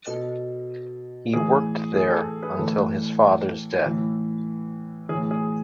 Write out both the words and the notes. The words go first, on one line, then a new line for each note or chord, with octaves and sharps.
He worked there until his father's death.
B2 A4
A2 E3 G#4
G#4
A4
G#4 B4
A2 E3 A4
A2 E3
A2 E3 G#4
G#4